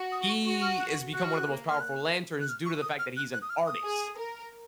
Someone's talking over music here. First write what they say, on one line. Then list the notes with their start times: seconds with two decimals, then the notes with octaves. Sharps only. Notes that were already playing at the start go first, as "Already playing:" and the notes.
he is become one of the most powerful lanterns due to the fact that he's an artist,
Already playing: F#4
0.12 D#6
0.29 C#6
0.45 F#4 C#6
0.62 F6
0.80 F#6
1.14 F#4 F#6
1.24 F6
1.36 F#6
1.48 A#3
1.69 F6
1.80 F#6
2.41 F#6
2.49 F6
2.66 C#6
2.82 D#6
2.99 F6
3.17 F#6
3.33 F#6
3.42 D#6
3.50 F6
3.66 D#6
3.84 G#4
4.18 A#4